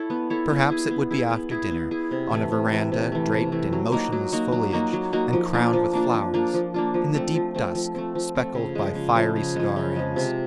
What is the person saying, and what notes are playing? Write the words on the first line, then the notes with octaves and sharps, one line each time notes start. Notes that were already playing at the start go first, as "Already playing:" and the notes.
Perhaps it would be after dinner, on a verandah draped in motionless foliage and crowned with flowers, in the deep dusk speckled by fiery cigar-ends.
Already playing: E4 A4 C#5
B3
E4 A4 C#5
B3
E4 G#4
B3
E4 G#4
B3
E4 G#4
B3
E4 G#4
C3
E3 A3
C3
E3 A3
C3
E3 A3
C3
E3 A3
F#3
A#3 D#4 F#4
F#3
A#3 D#4 F#4
F#3
A#3 D#4 F#4
F#3
A#3 D#4 F#4
F3
A#3 D4 F4
F3
A#3 D4 F4
F3
A#3 D4 F4
F3
A#3 D4 F4
F3
A3 C4
F3
A3 C4
F3
A3 C4
F3
A3 C4
C#3
F3 G#3
C#3
F3 G#3
C#3
F3 G#3
C#3
F3 G#3
C3